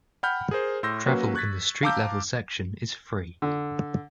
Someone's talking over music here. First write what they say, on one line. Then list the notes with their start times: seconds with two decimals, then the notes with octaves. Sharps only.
Travel in the street-level section is free.
0.23 F#5 G5 B5 F6 G6
0.51 G#4 A#4 C5
0.83 A2 C6 E6 G6 A#6
1.06 F#3 A#3 C#4 F#4 B4
1.35 C#6 F#6 G#6 A6 B6
1.83 F5 A5 A#5 D6 E6 G6
3.42 D3